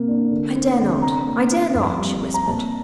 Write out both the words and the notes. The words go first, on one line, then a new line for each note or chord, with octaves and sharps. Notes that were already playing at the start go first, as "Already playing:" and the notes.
"I dare not--I dare not," she whispered.
Already playing: C3 A#3
D4
D3
C4
D3
C3 A#5
A#3
D4
F2
G3
C4
A#5
A#2 A5